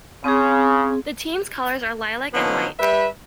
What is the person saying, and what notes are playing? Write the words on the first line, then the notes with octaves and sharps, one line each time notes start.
The team's colours are lilac and white.
C#3 C4 G#4
D3 F3 B3 C#4 D#4
G3 B4 E5